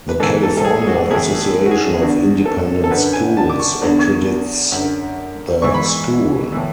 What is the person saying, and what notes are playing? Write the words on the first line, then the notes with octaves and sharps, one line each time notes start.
The California Association of Independent Schools accredits the school.
B4
G#2 E3 A4
A4
A4
G#4
G#4
F#4
A2 E3 G#4
F#4
G#4
E2 D3 F#4
A4
A4
F#2 D3 B4
G#5
A5
D6
C#6
E2 D3
F#2 D3
G#2 E3 C#6
B5
C#6
A2 E3